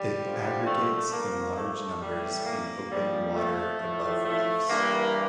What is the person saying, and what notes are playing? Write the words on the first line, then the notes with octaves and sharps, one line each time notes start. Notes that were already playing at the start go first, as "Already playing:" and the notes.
It aggregates in large numbers in open water above reefs.
Already playing: G3
G2 D3 F3
A3
G2 D3 F3 A#3
A3
A2 E3 G3
A#3
A#2 F3 G3
A3
A2 F3
A3
G2 E3 A#3